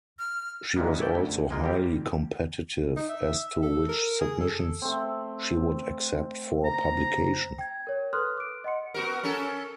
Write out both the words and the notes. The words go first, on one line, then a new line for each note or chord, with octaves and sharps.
She was also highly competitive as to which submissions she would accept for publication.
F6
D#2 A#2 E3 G#3 A#3 B3
E4 C#5 D5 G5
D2
A#1 G#3 A#3 F4
G3 C4 G4
D#4
E5
A4
A#4
G#4
A4
A3 C4
A#5
G5 G#6
A#4 C#5
A4 B4 C6 D#6 F6 F#6
D6 D7
D#5 F#5 C6 C#7
B3 F#4 A#4
C#4 A4 A#4